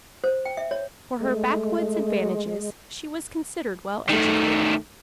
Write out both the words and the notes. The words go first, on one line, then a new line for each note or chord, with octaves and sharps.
For her backwoods advantages she was considered well educated.
C5
G5
E5
C#5
G#3 A3
D#3 A3